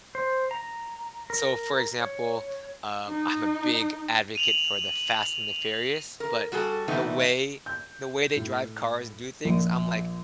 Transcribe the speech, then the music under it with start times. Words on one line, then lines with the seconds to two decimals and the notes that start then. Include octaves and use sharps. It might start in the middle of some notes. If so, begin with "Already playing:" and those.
So, for example, um, I'm a big advocate for The Fast and the Furious, but the way the way they drive cars and do things, I'm like,
0.15 C5
0.51 A#5
1.30 A#4
2.00 C#5
3.09 D#4
4.35 D#7 F7 F#7
6.20 A#4
6.52 G3 F#4 G#4 A4
6.88 C3 E3 A3 B3 D#4
7.66 G6
8.36 A2
9.45 A#1